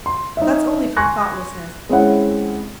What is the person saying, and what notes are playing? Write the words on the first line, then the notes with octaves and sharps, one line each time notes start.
That's only from thoughtlessness.
C6
D#4 E5
G#5 C6 C#6 F#6 G#6 A#6
G#3 C4 C#4 E4 F#5